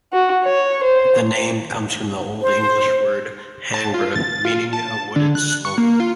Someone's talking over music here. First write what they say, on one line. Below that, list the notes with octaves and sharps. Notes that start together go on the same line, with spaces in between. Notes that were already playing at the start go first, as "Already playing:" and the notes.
The name comes from the Old English word "hangra", meaning a wooded slope.
F#4
C#5
C5
C5
A5
F4
A6
F4
A5
D3
F#6
C#6
A#3
F4